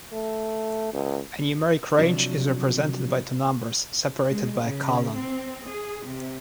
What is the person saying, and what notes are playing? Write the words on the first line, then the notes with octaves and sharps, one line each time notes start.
A numeric range is represented by two numbers separated by a colon.
A3
C#2
C3 F3 F#3 D4
G#3
C#3
C4
G#4
C3